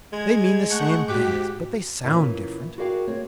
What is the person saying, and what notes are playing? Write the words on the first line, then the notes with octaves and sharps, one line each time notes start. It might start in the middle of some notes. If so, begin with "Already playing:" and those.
They mean the same things, but they sound different.
G#3 G#6
A3 F#5 C#6 G6
G#2 F#4 G4 D6 B6
A#2 E3 A#3 C#4 E4
F#4 G#4 A#4 D5 F5 G5
A#3 C4 C#5